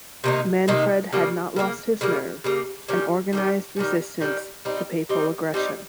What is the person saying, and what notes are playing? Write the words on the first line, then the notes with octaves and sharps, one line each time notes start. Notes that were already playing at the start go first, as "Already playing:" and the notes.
Manfred had not lost his nerve, and organized resistance to papal aggression.
C3 D#3 A#3 D#4
C3 D#3 A#3 D#4
C#3 G3 A#3
C#3 G3 A#3
C#3 G3 A#3
C#3 G3 A#3
D#3 G3 C#4
D#3 G3 C#4
D#3 G3 C#4
D#3 G3 C#4
G3 C4 D#4
G3 C4 D#4
G3 C4 D#4